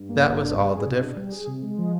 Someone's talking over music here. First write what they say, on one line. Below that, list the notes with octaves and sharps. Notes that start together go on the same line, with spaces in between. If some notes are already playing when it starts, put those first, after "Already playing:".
That was all the difference.
Already playing: G2
A#3
G1
D4
G3
G#4
C3
D4
G3
G#4
C3
G#3
F3